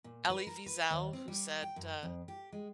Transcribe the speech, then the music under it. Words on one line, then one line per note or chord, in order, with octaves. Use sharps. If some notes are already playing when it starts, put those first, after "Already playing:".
Elie Wiesel who said, uh,
A#2
B4
A#4
B4
D#2
C4
G3
G5
F#2
F2
G4
G#3